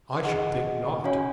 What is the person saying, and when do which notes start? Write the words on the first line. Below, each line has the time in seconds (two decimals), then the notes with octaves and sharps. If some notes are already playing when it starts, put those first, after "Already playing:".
"I should think not."
0.24 G#4 D#5 F#5
1.04 C#4 F#4 C#5 F5 G#5